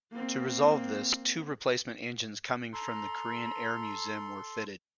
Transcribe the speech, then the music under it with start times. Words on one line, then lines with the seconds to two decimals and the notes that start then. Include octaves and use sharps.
To resolve this, two replacement engines coming from the Korean Air museum were fitted.
0.12 A#3 C4
2.73 A4 A#5 C6